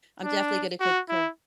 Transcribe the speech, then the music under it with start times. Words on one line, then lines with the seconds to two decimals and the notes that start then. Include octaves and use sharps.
I'm definitely gonna concur
0.23 D4
0.80 F#4
1.09 E4